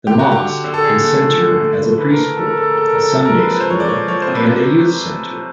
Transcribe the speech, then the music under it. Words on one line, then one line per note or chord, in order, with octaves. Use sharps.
The mosque and center has a preschool, a Sunday school and a youth center.
D3 G4
F#4
D3
G4
D3
D3
A4
D3 G#4
A3
F3 A4
D3
A3
C#3
E3 B4
A#4
A3
A#4
C#3 A4
A#4
C#3 A4
A#4
C#3 A4
A#4
C#3 A4
C3 A4
A#4
G#3
B4
F3 B4
C5
G#3 C#5
D5
F3 C#5
F3 C#5
C5
C3
B4